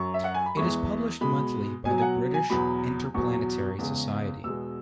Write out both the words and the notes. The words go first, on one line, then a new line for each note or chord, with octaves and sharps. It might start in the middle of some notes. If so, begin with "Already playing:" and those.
It is published monthly by the British Interplanetary Society.
Already playing: F#2 F#3 C#6
E5
F#5
G#5
B5
E2 E3 G#3 C#6
B2 G#3 B5
B2 F#3 G#5
G#5
F#5
G#5
E2 B2 F#3 B5
E2 B2 F#3 C#6
E2 C#3 G#3
E2 B2 G#3 E6